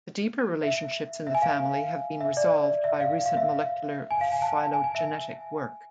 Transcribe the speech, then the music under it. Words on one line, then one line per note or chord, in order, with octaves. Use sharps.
The deeper relationships in the family have been resolved by recent molecular phylogenetic work.
E5
E5
G#5
F5
E5
D5
E5
F5
F5
E5
G#5
F5
G#5
A5
G#5
G#5
E5